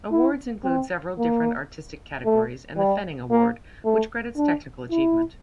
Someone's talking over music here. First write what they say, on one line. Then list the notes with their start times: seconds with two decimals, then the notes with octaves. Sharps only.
Awards include several different Artistic categories and the Fenning Award, which credits technical achievement.
0.11 E4
0.64 C4
1.18 A#3
2.25 A3
2.77 G3
3.30 A#3
3.85 A3
4.37 D4
4.90 E4